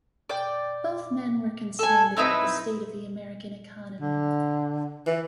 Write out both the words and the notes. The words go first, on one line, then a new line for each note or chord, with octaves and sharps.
Both men were concerned about the state of the American economy.
D5 G5
A4 G#5
C4 D#4 E4 B4
D3
E3